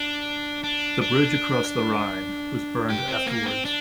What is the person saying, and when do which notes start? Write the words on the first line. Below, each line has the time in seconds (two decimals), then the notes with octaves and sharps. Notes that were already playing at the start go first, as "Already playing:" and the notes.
The bridge across the Rhine was burned afterwards.
Already playing: D4
0.64 D4
1.02 D4
2.90 G4
3.08 C4
3.27 A#3
3.46 C4
3.65 D4